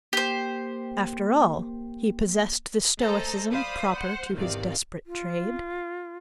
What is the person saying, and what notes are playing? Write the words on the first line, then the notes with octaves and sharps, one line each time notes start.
After all, he possessed the stoicism proper to his desperate trade.
A#3 G4 C5
A3 A4 C5 D#5 A#5
C5 D5 F5 B5 D#6
C5 F#5
G#1 E2 C3 D#3 D5 F5
F4